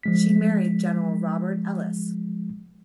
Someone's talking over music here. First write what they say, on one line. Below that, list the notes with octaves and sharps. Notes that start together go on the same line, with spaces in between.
She married General Robert Ellice.
F3 G#3 B6